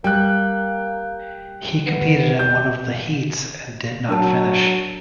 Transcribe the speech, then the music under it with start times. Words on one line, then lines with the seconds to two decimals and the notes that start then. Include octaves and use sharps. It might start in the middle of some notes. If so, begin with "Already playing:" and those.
He competed in one of the heats and did not finish.
0.04 G3 A#3 G5 F#6
1.86 B3
2.39 G3 G6
4.09 F#3 D4 A#4 A5